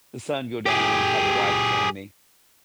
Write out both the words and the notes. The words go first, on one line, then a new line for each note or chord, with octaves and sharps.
the sun go down, have the wife join me,
G4 G#4